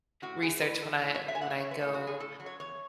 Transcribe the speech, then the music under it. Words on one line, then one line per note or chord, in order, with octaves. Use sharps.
research when I when I go,
A2 F#4
E3 G#4
A2 B4
E3 A4
A2 A4
C#5
F#3
E5
G#5
A2 F#5
E5
F#3 C#5
B4
A2 A4
F#4
F#3
G#4
A2 A4
F#3
C#5
E2 C#5